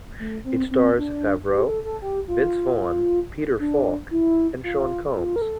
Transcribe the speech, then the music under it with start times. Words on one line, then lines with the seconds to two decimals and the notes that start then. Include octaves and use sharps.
It stars Favreau, Vince Vaughn, Peter Falk, and Sean Combs.
0.19 A3
0.45 C4
0.71 C4
0.98 D4
1.50 G4
1.67 A4
1.84 A4
2.02 G4
2.28 F4
3.59 D4
4.11 E4
4.63 F4
5.16 F4
5.36 A#4
5.42 A4